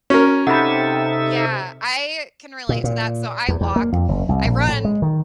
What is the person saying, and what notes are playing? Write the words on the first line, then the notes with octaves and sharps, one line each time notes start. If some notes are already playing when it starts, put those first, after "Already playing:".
Yeah, I can relate to that. So I walk, I run,
C#4 F#4 A#4 C#5
C3 D#4 A4 E5 F#5 B5
A#2
A#2
E2
E2
A#3
F2
F#1
C2
A#1
A2
G#3
D#3